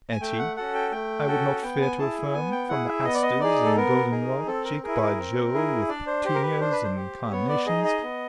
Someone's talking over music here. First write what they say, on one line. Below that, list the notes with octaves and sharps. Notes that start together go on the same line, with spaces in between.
Etty, I would not fear to affirm, from the asters and golden-rod, cheek by jole with petunias and carnations.
G#5
A3 G5
F#5
C#4 F#4 A4 F#5
G5
A3 G5
C#4 F#4 A4
B3 G5
G#5
E4 G#4 A5
B3 G#5
G5
E4 G#4 F#5
E5
B3 D#5
D5
D#5
D#4 G#4 D5
A4
B3 A#4
D#4 G#4
C4 A4
A#4
E4 G#4 A#4
B4
A#4
C4
E4 G#4
D4 D5
C5
G4 C5
A#4
B4
D4 C5
B4
C5
G4
B3 C#5
D5
D#4 G#4 D#5
D#5
B3